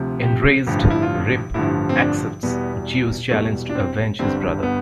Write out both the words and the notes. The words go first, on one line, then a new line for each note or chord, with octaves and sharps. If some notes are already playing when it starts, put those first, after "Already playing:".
Enraged, Rip accepts Zeus' challenge to avenge his brother.
Already playing: D2 C3 F3
G4
A1 G2 D3 F3 G4
F4
E4
F4
A1 G2 D3 F3 E4
C4
D4
E2 B2 G3 B3
E2 B2 G3 A3
D4
C4
G1 G2 D3 G3 C4
B3